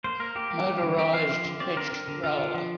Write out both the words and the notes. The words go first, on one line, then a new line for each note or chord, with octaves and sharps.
Motorized pitch roller.
A#3 C5
A#3 A#4
A#3 G4
A#3
G3
D3
C4 G4
F3 F5
D3
D3
C4 D5
D3 A#4
D3
D3
D3 F4
D3
F3